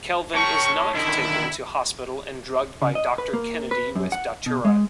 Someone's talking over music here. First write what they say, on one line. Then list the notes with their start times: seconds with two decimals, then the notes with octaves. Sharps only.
Kelvin is not taken to hospital and drugged by Doctor Kennedy with Datura.
0.35 A#4 C#5 G5 A5 C#6
0.94 D3 D#3 E4
2.82 C#3
2.95 D#5
3.18 B4
3.33 A#3
3.71 B4
3.96 F#2
4.12 F#5
4.46 B2
4.65 G#3